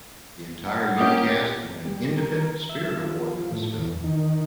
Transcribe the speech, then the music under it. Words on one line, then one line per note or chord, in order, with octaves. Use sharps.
The entire youth cast won an Independent Spirit Award for this film.
F#5
A#3 C#4 G4 D#6
G3
A#4
E5
F3
A2
E2
D#3